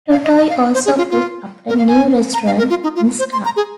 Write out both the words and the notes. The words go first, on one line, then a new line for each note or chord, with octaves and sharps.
Totoy also put up a new restaurant in Sta.
F5
D#5
D#5
F5
C5
G#4
F4
F4
A#4
F5
G#5
A#5
F5
A#4
F4
D#4
F4
C5
C6
A#5
G#4